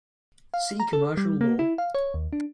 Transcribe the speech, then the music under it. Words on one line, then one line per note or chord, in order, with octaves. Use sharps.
See commercial law.
F5
A#5
A4
G3
A#3
E4
F5
C#5
D#2
D4